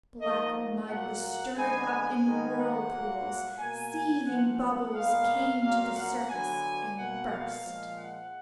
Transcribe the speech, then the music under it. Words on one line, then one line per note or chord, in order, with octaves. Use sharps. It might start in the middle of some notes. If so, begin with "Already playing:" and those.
Black mud was stirred up in whirlpools; seething bubbles came to the surface and burst.
G#2 F3 A#3 D#5
A#2 F#3 A#3 F#5
D3 G#3 B3 G#5
G#5
G#2 D#3 G#3 B3
F#5
A#2 F#3 A#3
B2 A#3 G#5
F#2 F3 A#3 F#5
F#5
A#2 G#3 B3 F5
A#2 F#3 A#3 F5
F#5
D3 F#3 B3 G#5
B2 A#3 F#5
F5
A#2 F3 G#3
F#5